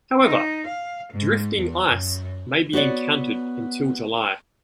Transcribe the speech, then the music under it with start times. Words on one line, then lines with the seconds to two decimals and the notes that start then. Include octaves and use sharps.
However, drifting ice may be encountered until July.
0.23 D#4
0.67 F5
1.13 G#2
1.58 E2
1.88 F#2
2.73 B3 F#4 C#5 D5